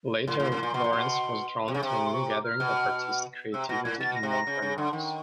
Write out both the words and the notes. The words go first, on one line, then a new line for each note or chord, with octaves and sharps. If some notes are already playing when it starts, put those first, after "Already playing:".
Later Laurens was drawn to a new gathering of artistic creativity in Montparnasse.
A2 C6
A2
A2
A#2
B2
A#2
B2
C3
C#3
C3
C6
C#6
D6
F6
B2
C3 E6
B2 A#6
A2 G#6
B2 A6
A#6
C3
A#6
C#3
C#3
D3
D#3